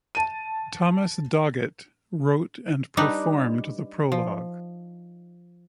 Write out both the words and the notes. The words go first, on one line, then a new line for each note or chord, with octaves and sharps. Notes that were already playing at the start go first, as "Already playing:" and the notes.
Thomas Doggett wrote and performed the prologue.
A5 D#7
G3 D4 D#4 B4
F3